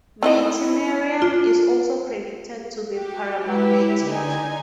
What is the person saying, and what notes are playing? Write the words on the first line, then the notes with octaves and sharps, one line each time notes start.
Meitnerium is also predicted to be paramagnetic.
C4 D#4 E4 D#5
F4
F#4 G4
G#3 E4 G4 B4
D3 D#4 G#5